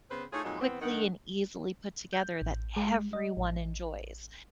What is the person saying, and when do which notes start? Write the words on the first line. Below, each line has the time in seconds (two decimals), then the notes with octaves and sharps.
quickly and easily put together that everyone enjoys.
0.10 C#3 B3 C4 B4 C5
0.32 A3 D#4 F4 G#4 C#5
0.45 F2 A#2 F#3 G#3 A#3 D#4
0.61 E2 B3 C4
0.81 G2 D#3 F#5
2.13 G6
2.42 A1
2.76 G#3
3.13 D#5
3.37 A1